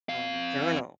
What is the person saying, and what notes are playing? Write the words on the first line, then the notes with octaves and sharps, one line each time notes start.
um, journal.
C4 F5